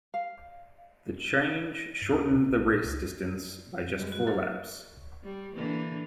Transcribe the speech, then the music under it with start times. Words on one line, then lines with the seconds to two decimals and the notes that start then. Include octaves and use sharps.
The change shortened the race distance by just four laps.
0.14 F5
2.02 G2
2.13 D#2
2.33 B2
2.50 G#1
2.72 A#2
2.85 C#2
3.99 F#2 G3 G#3
4.12 F#4
4.27 F#3 A#4 C#5 E5
5.24 G3
5.55 D3 E3 A#3